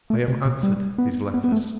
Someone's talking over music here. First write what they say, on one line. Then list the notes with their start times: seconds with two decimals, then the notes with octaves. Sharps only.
I have answered his letters.
0.10 A3
0.28 C3
0.45 B2
0.63 G3
0.98 B3
1.34 B3
1.44 B3
1.52 A3